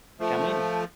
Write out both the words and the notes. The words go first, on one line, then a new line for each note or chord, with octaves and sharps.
Come in!
F3 A3